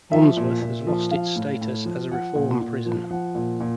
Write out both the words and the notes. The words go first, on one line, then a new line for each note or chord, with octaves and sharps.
Wansworth has lost its status as a reform prison.
F3 E5
A#2
A#2
F3
F3 F5
A2
A2
F3
F3 F#5
A#2
A#2
F3
F3 F#5
A#2
A#2